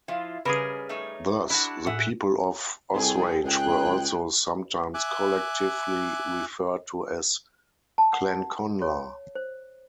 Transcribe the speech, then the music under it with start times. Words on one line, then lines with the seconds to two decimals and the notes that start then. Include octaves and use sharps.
Thus, the people of Osraige were also sometimes collectively referred to as Clann Connla.
0.08 F3 E4 F4
0.45 C#3 G3 C#4 G#4 A#4 B4 D#5 B5
0.89 A3 D#4 C#5
1.50 D4 E4 F#4 D5 A5
1.86 A2 G#4 E5 F#5
2.94 C2 G#4 A4 G5
3.44 C#2 G#4 G5 F#6
4.94 E5 G#5 D6 F#6
7.98 A5
8.13 F#5
8.82 C#5
9.35 C5